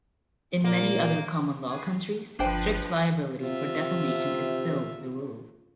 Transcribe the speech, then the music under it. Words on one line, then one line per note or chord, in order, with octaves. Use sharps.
In many other common law countries, strict liability for defamation is still the rule.
A#2 A#3
G1 F3 D4 B4 C5 G5
C3 F4 E5